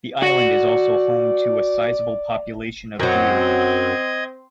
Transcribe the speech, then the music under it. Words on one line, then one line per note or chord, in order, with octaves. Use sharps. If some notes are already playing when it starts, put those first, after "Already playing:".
The Island is also home to a sizable population of deer.
F#4 D5 F#5
F#2 F#3 C4 D#5 G#6